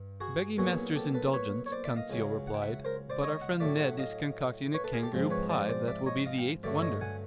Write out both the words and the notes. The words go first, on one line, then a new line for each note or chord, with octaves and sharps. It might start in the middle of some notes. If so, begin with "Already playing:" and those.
"Begging master's indulgence," Conseil replied, "but our friend Ned is concocting a kangaroo pie that will be the eighth wonder!"
Already playing: G2
F#4 G#4
B1 A#2 F#3 B3 F#4 G#4
G4 A4
A4 B4
B4 C#5
C#5
C5 D5
D5 E5
D#5 F5
C#2 C#3 F#3
F#5
G5
E5 F#5
A#4 C5
C5 D5
C#5 D#5
F#5
F5
A2 F#3 A3 D5 E5
E5 F#5
D#5 F5
B4 C#5
A4 B4
G#4 A#4
G4 A4
G#2 F3 G#3 C4
B4 C#5
C5 D5
C5 D5
D5 E5
C#5 D#5
D#5 F5
F5 G5
G2 D3 F#3 A3 D5 E5
C#5 D#5
F#5 G#5